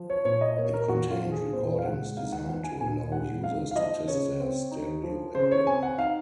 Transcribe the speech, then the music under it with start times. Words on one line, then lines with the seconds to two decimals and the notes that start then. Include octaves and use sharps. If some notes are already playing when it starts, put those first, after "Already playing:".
It contained recordings designed to allow users to test their stereo equipment.
Already playing: F3
0.10 C#5
0.25 A#2 C#5
0.41 D#5
0.57 A#3 C#5
0.74 A#4
0.89 A#2 F#4
1.11 F4
1.21 F3
1.32 G#4
1.53 A#2 C5
1.78 F5
1.85 G#3 F#5
2.17 D#4 F5
2.32 F#5
2.49 F3 F#5
2.64 G#5
2.80 A#2 G#5
3.12 G#3 F#5
3.44 D#4 F5
3.71 F5
3.75 F3 D#5
4.08 C#3 C#5
4.40 C4
4.71 D#4
5.03 F3
5.35 C#3 C5
5.51 C#5
5.67 C4 G#5
5.83 F#5
5.98 D#4 F5